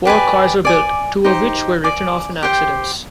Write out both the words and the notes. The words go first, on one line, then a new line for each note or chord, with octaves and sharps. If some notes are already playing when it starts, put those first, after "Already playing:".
Four cars were built, two of which were written off in accidents.
G4 B4 D5 G#5
D5 G#5 D6
D#4 G4 C5
D5 G#5 D6
G4 C5 G5